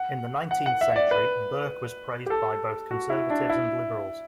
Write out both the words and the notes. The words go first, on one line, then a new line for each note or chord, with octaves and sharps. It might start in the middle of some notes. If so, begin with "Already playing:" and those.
In the nineteenth century Burke was praised by both conservatives and liberals.
Already playing: F#5
F#5
F#5
E5
E5
D5
B4
G4
A4
F#4
E4
D4
E4